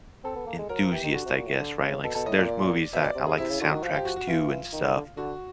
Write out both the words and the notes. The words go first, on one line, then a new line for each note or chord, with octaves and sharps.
enthusiast, I guess, right, like s there's movies that I like the soundtracks too and stuff,
C4 A4
B3
A#3
G#3
F#3 A#4
F3
E3 G4
D#3
D3 F#4
C3
A#2
A2
D3
C#3
B2 A4
B2 A4
A2 D#5
A#2 D5
B2 E5
D5
C3
G#4
C3 E4
C#3
D3 F#4
D#3
F3 F4
G4
F#4
F#4
E3 F4
D#3
D3
D3
D3 F#4